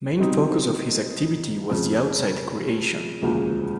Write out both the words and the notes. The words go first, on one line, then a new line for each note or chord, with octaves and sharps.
Main focus of his activity was the outside creation.
B2 G3 C4 D#4
F2 C#3 F3 G#3
E1 D2 C#3 F3 A#3